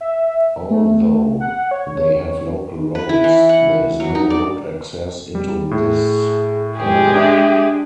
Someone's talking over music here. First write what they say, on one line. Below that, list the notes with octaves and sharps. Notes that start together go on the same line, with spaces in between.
Although they have local roads, there is no road access into this area.
E5
A3
F#5
C#5
B4
E4
E3
F#5
F#3
D#4
D5
G3
A2 G#4
G#3 G4 G#4 G5
D4 E5 D#6